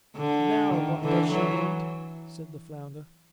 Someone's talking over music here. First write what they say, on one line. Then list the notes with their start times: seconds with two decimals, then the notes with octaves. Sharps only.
"Now, what does she want?" said the flounder.
0.17 D3
0.74 D#3
1.03 D3 E3
1.32 E3 F#3